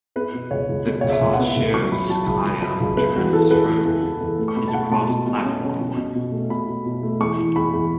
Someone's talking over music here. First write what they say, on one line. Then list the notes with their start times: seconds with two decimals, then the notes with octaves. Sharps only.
The Kashirskaya transfer is a cross-platform one.
0.16 B3 B4
0.34 B2
0.51 C#2 C#5
0.69 C#2
0.86 B2
1.01 C#2 C#5
1.09 E5
1.21 C#2
1.33 F#5
1.39 B3
1.57 C#2
1.74 F#3 C#6
1.92 F#3 B5
2.09 F#3 A5
2.27 C#2 B5
2.45 F#3
2.62 F#3 B5
2.80 C#2
2.97 B3 B4
3.15 E2 F#4
3.33 E3 A4
3.51 E2 B4
3.68 E3
3.85 E2
4.04 E2
4.21 E2
4.39 A3
4.48 C#6
4.56 B2 B5
4.68 A5
4.74 A3 F#5
4.91 B2 A5
5.09 B2
5.27 B2
5.45 C#4
5.62 C#4
5.80 B2
5.97 B2
6.15 B2
6.32 A3
6.50 B2 B5
6.68 B2
6.86 B2
7.03 A3
7.21 E2 C#6
7.38 E3
7.56 E2 B5
7.73 E2